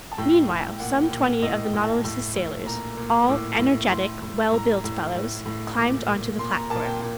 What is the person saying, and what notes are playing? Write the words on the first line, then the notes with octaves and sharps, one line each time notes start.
Meanwhile some twenty of the Nautilus's sailors--all energetic, well-built fellows--climbed onto the platform.
A5
A2 G5
A2
G5
A#2 F#5
G5
A#2
F#5
A2 D#5
G5
A2
A5
A2
A2
A#2 A#5
A#2
A2 D6
A2
A2 C6
A2
A2 A#5
A2
A2
A2
A#2 D6
A#2
A#2 C6
A#5
A#2 A5
G5
A#2 G5